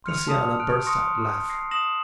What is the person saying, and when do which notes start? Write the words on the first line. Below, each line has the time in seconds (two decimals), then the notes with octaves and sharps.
Josiana burst out laughing.
0.04 C6 F6 C#7 F7
0.28 A5 D#6
0.60 F6 F#6 D7
0.86 C6 C#6 D#6 A#6 C#7
1.50 A#6 C7
1.71 D#6 A#6 E7 F#7